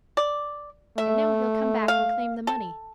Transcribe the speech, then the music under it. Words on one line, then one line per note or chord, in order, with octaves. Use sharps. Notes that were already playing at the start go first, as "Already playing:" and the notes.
And now he'll come back and claim the money.
D5
A3 E5
F5
A4